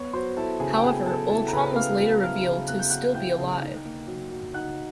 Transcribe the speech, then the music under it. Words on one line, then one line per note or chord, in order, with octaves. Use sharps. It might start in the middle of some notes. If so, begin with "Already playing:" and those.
However, Ultron was later revealed to still be alive.
Already playing: B3 C#5 C#6
F#3 C5 C6
E4 A4 A5
C#3 G#4 G#5
G5
B3 G#4 G#5
F#3 A4 A5
E4 A4 A5
A#5
C#3 B4 B5
B3 F5 F6
F#3
E4 F5 F6
C#3
B3 F#6
G6
F#3 F#5 F#6
E4 G5 G6
C#3
D#4
A#3
F#3
F#3
D#4 F#5 F#6